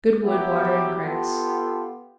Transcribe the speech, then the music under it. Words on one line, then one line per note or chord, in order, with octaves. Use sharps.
Good wood, water, and grass.
F#3 B3 E4 G4
B3 F4 G4 A4